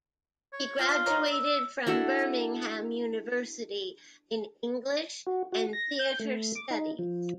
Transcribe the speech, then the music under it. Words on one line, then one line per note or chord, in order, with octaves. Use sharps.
He graduated from Birmingham University in English and Theatre Studies.
C#5
F3 C#4 F4 G5
A#4 C#5 D#5
E6
D4 E4 F#4 A4
F#4
F#4
A#6
G6
A3
D6
D#4
F3